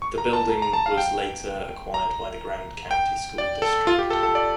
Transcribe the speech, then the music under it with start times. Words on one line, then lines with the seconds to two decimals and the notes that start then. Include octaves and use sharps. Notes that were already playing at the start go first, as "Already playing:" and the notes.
The building was later acquired by the Grand County School District.
0.02 C#6
0.18 A#5
0.33 A5
0.50 A#5
0.62 A#5
0.73 A5
0.86 F5
0.98 G5
1.94 A#5
2.91 G5
3.38 D5
3.62 A4
3.87 F4
3.99 G4
4.10 A4
4.23 A4
4.35 D5